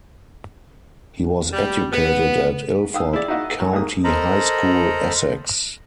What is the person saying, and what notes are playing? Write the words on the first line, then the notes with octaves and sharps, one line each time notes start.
He was educated at Ilford County High School, Essex.
G3
B3
F5 G5 D#6 E6
E4 G#4 D5
D#4 E4 F#4 D#5 F5
F#3 A4
G#2 A#3 D#6
A4 A#4 C5 D#5 A#5 B5